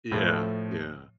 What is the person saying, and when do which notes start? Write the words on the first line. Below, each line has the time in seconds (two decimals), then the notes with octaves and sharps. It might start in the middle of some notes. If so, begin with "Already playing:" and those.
Yeah, yeah.
0.12 A2 F3 A3